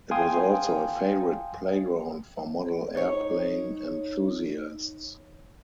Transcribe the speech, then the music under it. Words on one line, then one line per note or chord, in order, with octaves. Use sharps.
It was also a favourite playground for model airplane enthusiasts.
F5 G5 G#5 C6 D#6
D#4 C#5